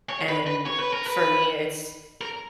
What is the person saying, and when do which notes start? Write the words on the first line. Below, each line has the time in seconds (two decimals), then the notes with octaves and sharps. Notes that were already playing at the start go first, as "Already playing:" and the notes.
and for me, it's
0.09 C#5
0.29 B4
0.47 B4
0.66 C#5
0.79 B4
0.93 A#4
1.07 B4
2.21 A#4